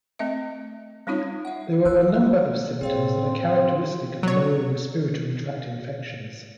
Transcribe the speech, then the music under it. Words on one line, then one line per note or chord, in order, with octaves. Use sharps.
There are a number of symptoms that are characteristic of lower respiratory tract infections.
A3 C4 D#5 E5
G3 C4 C#4 D#4 F4 C#5
E5 F#5
D#3 E6 F#6
A2 C4 G#4 C#5 F5
C4
F#3 C#5